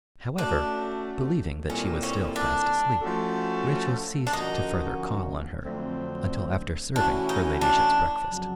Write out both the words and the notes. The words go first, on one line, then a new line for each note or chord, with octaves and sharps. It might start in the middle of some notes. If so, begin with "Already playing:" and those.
However, believing that she was still fast asleep, Rachel ceased to further call on her until after serving her ladyship's breakfast.
A3 C#4 D4 F#4
A#2 G3 C4 C#4 E4 A4
C#4
D4
F3 A3 C#4 F#4 A4
D4
D3 F3 A#3 C#4 D#4 F#4
F2 D3 F#3 A3 C4
E3 A3 C#4 D4 F#4
D#4
D4
F2 C#3 F#3